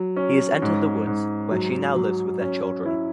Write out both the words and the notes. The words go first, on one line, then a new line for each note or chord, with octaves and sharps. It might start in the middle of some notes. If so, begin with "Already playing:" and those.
He has entered the woods where she now lives with their children.
Already playing: F#3
C#4
G#2
G#2
F#3
F#3
C#4
E4